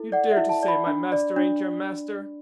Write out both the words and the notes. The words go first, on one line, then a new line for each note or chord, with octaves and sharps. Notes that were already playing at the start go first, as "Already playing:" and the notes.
You dare to say my master ain't your master!
Already playing: E4 A4
D5 F#5
E5
E4
A5
D5
B5
D4
D5
D4